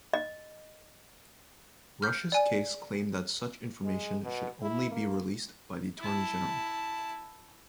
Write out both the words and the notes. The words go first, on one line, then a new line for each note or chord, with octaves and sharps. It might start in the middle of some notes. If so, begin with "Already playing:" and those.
Rush's case claimed that such information should only be released by the Attorney-General.
D#5
F6 G6
D5 G#5
G#3
B2
E4
A#3
E4 A5